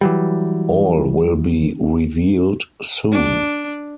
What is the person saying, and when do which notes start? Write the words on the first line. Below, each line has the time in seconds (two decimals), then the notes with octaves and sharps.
All will be revealed soon.
0.01 E3 F#3 G3
3.12 D4